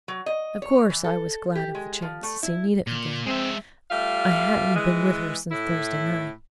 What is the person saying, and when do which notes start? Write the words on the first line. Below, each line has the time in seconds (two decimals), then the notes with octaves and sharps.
Of course I was glad of the chance to see Nita again--I hadn't been with her since Thursday night.
0.08 F#3
0.26 D#5
0.62 C#5
0.90 E3
1.04 A4
1.55 G4
1.75 G#3
2.02 F3
2.23 A3
2.43 E4
2.87 A#2
3.26 G#3 C4 E5
3.91 G3 A3 F4 E5 F5
4.75 E3 G#3
5.51 A2 E4